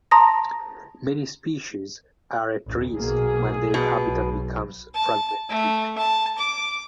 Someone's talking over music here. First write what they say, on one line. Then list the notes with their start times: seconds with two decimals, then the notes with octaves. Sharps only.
Many species are at risk when their habitat becomes fragmented.
0.11 A5 A#5 C6 D#6 A#6
2.66 A1 D2
2.96 B1 B2 A#3 G#4
3.74 B2
4.06 B1
4.94 A5
5.49 A3
5.98 A5
6.38 D6